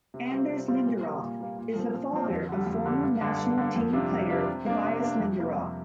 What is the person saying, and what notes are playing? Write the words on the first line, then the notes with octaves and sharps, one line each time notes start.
Anders Linderoth is the father of former national team player Tobias Linderoth.
C3
G3 C4 F4
C3
G3 C4 F4
A#2
G3 A#3
A#2
G3 A#3
A#2
F3 C4
A#2
F3 C4
F2
D3 G3
F2
D3 G3
G2
D3 A#3 D4
G2
D3 A#3 D4
F2
C3 G3 D4 F4
F2
C3 G3 D4 F4
C3
A#3 D4
C3
A#3 D4
F2
C3 G3 A#3
F2